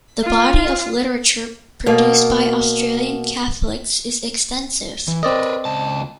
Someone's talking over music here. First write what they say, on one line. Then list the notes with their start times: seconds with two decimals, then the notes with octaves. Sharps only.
The body of literature produced by Australian Catholics is extensive.
0.23 F4
1.86 B2 A#3
5.08 E3
5.23 C4 A#4 B4 D5 D#5
5.65 C#2 A5